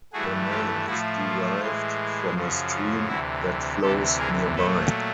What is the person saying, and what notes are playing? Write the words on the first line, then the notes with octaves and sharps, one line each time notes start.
The name is derived from a stream that flows nearby.
G2 E3 A3 F#4 G#4
F4 G4
A2 F3 A3 E4 F#4
F4
A2 E3 G#3 F4
F#2 C#3 F3
F4
D2 C3 E3 E4 F#4
D2 C3 E3 G4 A4
G#4 A#4
A#2 F#3 A3 A4 B4